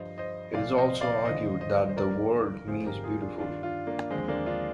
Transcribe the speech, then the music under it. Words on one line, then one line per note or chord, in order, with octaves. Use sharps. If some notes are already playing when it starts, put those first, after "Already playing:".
It is also argued that the word means beautiful.
Already playing: G2 F3 C5 D#5
C5 D#5
C2 A#2 F3 D5 F5
C5 D#5
D5 F5
D#2 D3 F3 C5 D#5
C5 D#5
C5
D2 D3 F3 A#4 D5
F2 D3 F3 G#4 C5
G4 A#4
F4 G#4
D4 F4
G2 D#3 D4 F4
D4 F4
A#3 D4
D#2 D3 F3 G#3 C4
A#3 D4
D4 F4